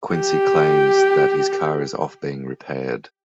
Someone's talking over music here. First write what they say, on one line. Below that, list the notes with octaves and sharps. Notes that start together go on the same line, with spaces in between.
Quincy claims that his car is off being repaired.
G4